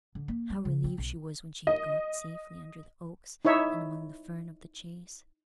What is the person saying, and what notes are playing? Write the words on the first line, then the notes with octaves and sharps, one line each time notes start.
How relieved she was when she had got safely under the oaks and among the fern of the Chase!
D3
A#3
G3
C#3
C4
B1
D#5
D#4 E4 C#5 E5